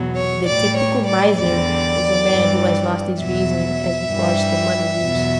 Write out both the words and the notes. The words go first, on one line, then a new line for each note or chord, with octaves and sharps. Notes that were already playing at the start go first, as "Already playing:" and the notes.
The typical miser is a man who has lost his reason as regards the money use.
Already playing: E2 B2 F#3
C#5
A2 G3 D5
C#5
D5
E2 D3 G3 D5
G2 E3 G3
E2 B2 F#3 E5
G2 E3 G3
E2 B2 F#3